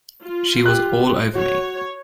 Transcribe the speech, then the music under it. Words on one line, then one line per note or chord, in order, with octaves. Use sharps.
She was all over me.
F4
G4 F#6
F#4 C#5